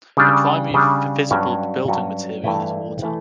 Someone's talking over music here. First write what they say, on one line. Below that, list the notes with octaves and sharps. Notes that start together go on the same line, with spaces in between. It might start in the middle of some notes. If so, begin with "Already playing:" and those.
The primary visible building material is water.
C#3 G3 D4
C#3 G3 D4
G2 F#3 C#4 F#4
G2 F#3 C#4 F#4
G2 E3 A3 E4
E3 A3 E4